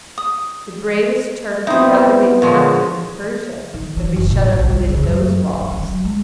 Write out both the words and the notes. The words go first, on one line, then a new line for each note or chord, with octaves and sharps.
The bravest Turk would rather be a captive in Persia than be shut up within those walls.
D#6
B3 C4 D#4 E4 C5 D#6
A#2 D3 F3 G#3 C#5
D#3
E3
F#1
A#2
G#1
C2
C#3
F#2
D#3
C#4
F#3
G#3